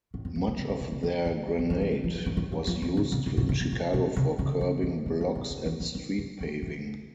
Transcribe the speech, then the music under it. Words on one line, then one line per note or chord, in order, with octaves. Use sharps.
Much of their granite was used in Chicago for curbing blocks and street paving.
A2
F2
F#2
B2
C#3
C3
C3
C#3
D3
E3
E3
F3
E3
D#3
D#3
F3
F3
E3
D#3
E3
F3
E3
D3
C3
C3
B2
C3
B2
A#2
B2
C3
C#3
D3
D3
D#3
E3
D#3
D3
D#3
D#3
D#3
D3
D#3
E3